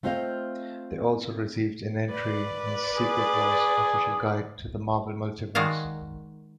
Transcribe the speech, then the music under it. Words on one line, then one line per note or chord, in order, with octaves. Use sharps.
They also received an entry in "Secret Wars Official Guide to the Marvel Multiverse".
A3 C4 F4 C5 D#5 F5
B4 D5
G#4
D#3 G#3 F#4 D5 F5